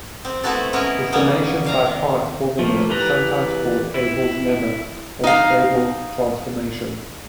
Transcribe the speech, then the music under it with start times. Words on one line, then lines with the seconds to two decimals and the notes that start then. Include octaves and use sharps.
The summation by parts formula is sometimes called Abel's lemma or Abel transformation.
0.25 C4
0.43 A3 B3 C4 E4 F#4 A4
0.73 G#3 B3 C#4 E4 A#4
1.12 A#2 C#3 A#3 B3 C#4 D#4
1.65 A#2 F5 A#5
1.86 D#3
2.59 F3 A3 A#3
2.90 E3 G4 A4 B4 A#5
3.94 E4
5.24 D#4 F5